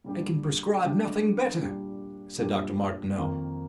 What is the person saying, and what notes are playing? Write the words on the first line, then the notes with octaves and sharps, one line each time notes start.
"I can prescribe nothing better," said Dr. Martineau.
A#2 G3 D4 G4
A#2 G3 D4 G4
A#2 G3 D4 G4
A#2 G3 D4 G4
F2 D#3 A#3